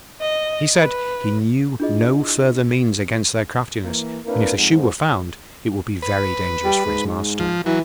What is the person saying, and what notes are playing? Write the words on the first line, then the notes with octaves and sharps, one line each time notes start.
He said he knew no further means against their craftiness; and if the shoe were found, it would be very dangerous for his master.
D#5
B4
D4 E4 F4 G#4 D#5
E3 A#3
A#3 C4 D4 E4 A#4 B4
F2 G#2
B4
G3
G#2
F3
E3 F#3